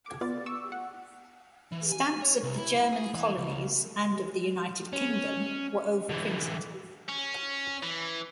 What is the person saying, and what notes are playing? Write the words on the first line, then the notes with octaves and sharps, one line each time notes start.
Stamps of the German colonies and of the United Kingdom were overprinted.
D6 G#6
B3 F4 D5 A6
C#6 D6 E6
F#5
E3
G#5
C#5
C2
E4
G#4
E3
C#2
C#4
D3 E3
C#4
E3